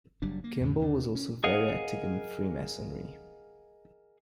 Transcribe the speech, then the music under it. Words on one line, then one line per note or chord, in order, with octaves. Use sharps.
Kimball was also very active in Freemasonry.
F#1 F#3 G3 D4
A#3
E2 A2 C3
D#2 C#3 G#3 D4
C#4
G#4 A#4 D#5 F5 F#5